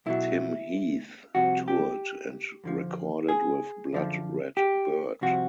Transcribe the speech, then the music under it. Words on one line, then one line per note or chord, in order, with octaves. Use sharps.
Tim Heath toured and recorded with Blood Red Bird.
B1 B2 F#3 E4
C2 C3 F3 F#4
G4
F2 D3 F3
G#4
F#2 D3 F3
G4
C2 C3 F3 F#4